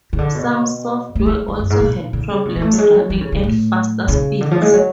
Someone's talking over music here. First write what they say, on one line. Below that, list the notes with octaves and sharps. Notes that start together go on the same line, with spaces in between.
Some software also had problems running at faster speeds.
C#3
D3
B2
A3
G#3
D3
F#2
G#2
B2
D3
C#3
B2
G#3
A3
F#3
G#3
F#3
F3
C#3
C#3
A2
C#3
D3
F3
G#3
F#3